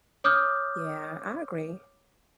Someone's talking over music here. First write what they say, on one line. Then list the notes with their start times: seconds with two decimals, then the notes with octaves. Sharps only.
Yeah, I agree.
0.24 C#5 D6 D#6 F6 G6